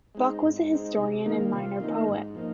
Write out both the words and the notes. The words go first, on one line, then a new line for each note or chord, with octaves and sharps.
Buck was an historian and minor poet.
G#3 C4 D#4
G#2
G#3 C4 D#4
C3 D#4
D#3 A#3 D#4
C3 F4
D#3 A#3 D#4
G#2
F3 A#3 D#4